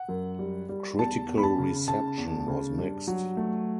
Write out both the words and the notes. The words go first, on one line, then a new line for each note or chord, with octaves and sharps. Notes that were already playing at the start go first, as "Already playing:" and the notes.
Critical reception was mixed.
Already playing: F#5
F#2
G3
G3
E2 A5
E2
B5
A5
C#3
C#3 A5
E2
C#3
G2
F#3
A3